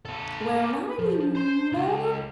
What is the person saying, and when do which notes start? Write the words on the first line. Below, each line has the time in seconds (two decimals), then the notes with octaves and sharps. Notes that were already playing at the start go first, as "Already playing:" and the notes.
Well, not anymore
0.05 B3 A4
0.99 F3
1.35 C5 C6
1.73 C#2